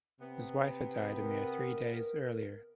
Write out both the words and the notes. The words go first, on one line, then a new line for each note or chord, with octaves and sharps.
His wife had died a mere three days earlier.
C3 B3
A#4